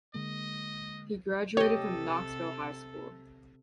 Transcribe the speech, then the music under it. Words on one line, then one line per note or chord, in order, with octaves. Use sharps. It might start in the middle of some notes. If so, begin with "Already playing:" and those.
He graduated from Knoxville High School.
D3 G#3 A#3 D#5
C3 G4 A4 C#5 D#5